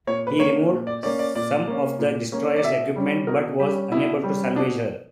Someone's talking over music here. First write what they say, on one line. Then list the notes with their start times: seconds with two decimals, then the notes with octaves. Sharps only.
He removed some of the destroyer's equipment but was unable to salvage her.
0.07 A#2 C#5
0.27 B4
0.39 A#3 C#4 C#5
0.71 A#2
0.87 D5
1.03 A#3 C#4 D5
1.19 D5
1.35 A#2 D5
1.67 A#3 C#4
1.99 A#2
2.32 A#3 C#4
2.56 D5
2.64 B2 E5
2.96 G3 C#4
3.27 B2 A#4
3.60 G3 C#4 G4
3.92 B2 E4
4.23 G3 C#4
4.55 B2 D4